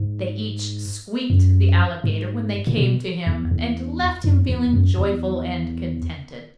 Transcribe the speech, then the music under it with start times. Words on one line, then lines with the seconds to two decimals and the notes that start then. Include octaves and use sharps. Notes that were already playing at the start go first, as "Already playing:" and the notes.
They each squeaked the Alligator when they came to him, and left him feeling joyful and contented.
Already playing: G#2
1.30 F#2
2.04 G#2
2.67 A#2
2.77 B2
3.27 E2
3.51 E2
4.24 F#2
4.49 E2
4.73 F#2
4.98 E2